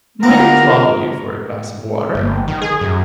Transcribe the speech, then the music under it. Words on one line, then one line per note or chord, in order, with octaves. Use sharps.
"Might I trouble you for a glass of water?"
D3 A#3 B3 F4 A#4 A#5
G1
D#3
G#4
F#2